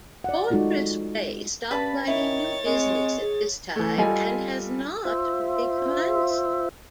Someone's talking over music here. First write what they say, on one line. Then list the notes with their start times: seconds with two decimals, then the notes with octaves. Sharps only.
Fortress Re stopped writing new business at this time, and has not recommenced.
0.24 D5 F#5
0.51 G#3 D#4 F4 F#4 A4
1.71 G2 C#4 B4 A5 B5
2.07 D#3 E4 C#5 A6
2.66 G#3 C4
3.20 G#4
3.76 E3 A3
3.98 G3 F4 A4 D#5 G#5
5.05 F4 C5 E5